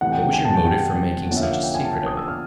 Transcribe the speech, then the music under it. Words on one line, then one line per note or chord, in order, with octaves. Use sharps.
What was your motive for making such a secret of it?
C3 E3 A3 F#5
G5
G5
G#5
A5
G5
G5
D3 F3 A#3 C#4 F#5
E5
F5
F#5
G5
G#5
A5
D#6
E6
F6